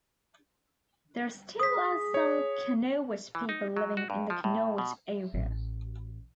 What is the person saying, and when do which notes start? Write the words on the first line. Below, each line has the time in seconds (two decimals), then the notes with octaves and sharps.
There still are some Kanowit people living in the Kanowit area.
1.60 G#4 D#6 B6
2.14 C#5
3.35 E3
3.49 D#4
3.77 F#3
3.97 F#4
4.10 G2
4.30 F3
4.44 A2
4.78 B2
5.34 A1